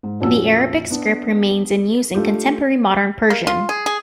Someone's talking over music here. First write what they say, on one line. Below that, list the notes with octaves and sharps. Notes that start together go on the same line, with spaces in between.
The Arabic script remains in use in contemporary modern Persian.
G#2
F2 A#2 C#4 F#4 A5 E6
B3 D4
A3 D4 F4 G4
A#3
F4
G#4
G#4